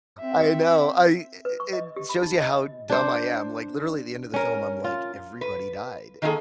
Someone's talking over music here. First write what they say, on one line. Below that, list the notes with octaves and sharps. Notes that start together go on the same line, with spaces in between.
I know. I i i in it shows you how dumb I am. Like, literally at the end of the film, I'm like, "Everybody died.
C4 E5
B4
C#6
D#5
G4
B5
D#4
D#5
D4 C5
C#4 A#4
F4
B4
D#3 F#3 A3 A#3 G#4 A4